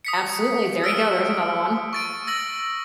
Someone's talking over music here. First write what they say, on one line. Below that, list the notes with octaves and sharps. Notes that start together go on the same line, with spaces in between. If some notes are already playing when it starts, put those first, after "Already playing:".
absolutely, there you go. There's another one,
D#6 B6 C#7
E6 F6 D7
C#6 A6 D7
E6 A6 A#6 F#7